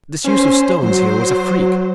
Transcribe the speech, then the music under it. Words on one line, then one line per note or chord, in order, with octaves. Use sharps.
This use of stones here was a freak.
C#4 C5
F#3 C5